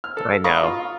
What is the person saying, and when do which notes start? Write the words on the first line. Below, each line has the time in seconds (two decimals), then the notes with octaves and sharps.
I know.
0.04 F6
0.17 A4
0.44 F5 A#5 B5 C#6 D#6
0.63 F4